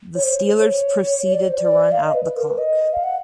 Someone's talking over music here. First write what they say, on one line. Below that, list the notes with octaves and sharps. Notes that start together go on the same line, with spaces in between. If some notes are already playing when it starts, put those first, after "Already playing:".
The Steelers proceeded to run out the clock.
C#5
C5
C#5
C5
C#5
C#5
D5
C#5
C5
D5
F5
D#5
B4
B4
A#4
B4
D#5
F5
F#5